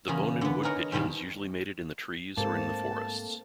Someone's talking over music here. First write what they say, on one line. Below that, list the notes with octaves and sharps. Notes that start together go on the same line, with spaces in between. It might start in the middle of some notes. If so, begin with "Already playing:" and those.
The Bonin wood pigeons usually mated in the trees or in the forests.
E2 C#3 A#3 G#4
D3 B3
D#4 G#4 A#4 C#5
G#2 B2 D#3 G3 A#3
G#2 A3 A#3 C4 A4 A5